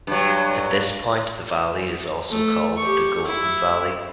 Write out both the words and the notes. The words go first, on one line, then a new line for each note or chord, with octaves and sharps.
At this point the valley is also called the Golden Valley.
G2 F#3
A3
G4 C#6
E4